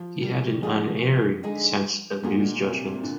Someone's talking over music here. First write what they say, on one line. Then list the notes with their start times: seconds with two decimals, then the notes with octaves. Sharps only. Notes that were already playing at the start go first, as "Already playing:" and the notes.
He had an unerring sense of news judgment.
Already playing: F3
0.22 G3
0.62 D3 F3 G#3 D#4 G#4
1.43 D3 G#3 D#4 G#4
2.24 A#2 D3 G#3 D#4 G#4
2.64 C3
2.93 C3
3.03 A#2 D3